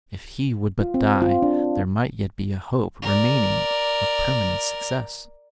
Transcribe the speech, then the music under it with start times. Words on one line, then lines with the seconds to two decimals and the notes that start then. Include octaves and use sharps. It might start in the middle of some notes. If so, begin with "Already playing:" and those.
If he would but die, there might yet be a hope remaining of permanent success!
0.81 F4
0.94 C4
1.22 F4
1.42 D4
3.02 A#4 D5